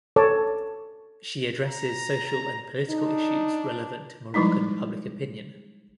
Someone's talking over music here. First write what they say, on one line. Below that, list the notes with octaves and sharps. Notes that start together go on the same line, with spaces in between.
She addresses social and political issues relevant to Moroccan public opinion.
A4 C#5 A5 D6
A#5
D4 D#4
F3 G3 G#3 D#4 E4